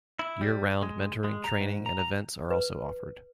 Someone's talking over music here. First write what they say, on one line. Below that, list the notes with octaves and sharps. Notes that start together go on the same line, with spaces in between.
Year-round mentoring, training and events are also offered.
E4
G3
G#3
G#3
A#5
G#2
A#5
A#5
B4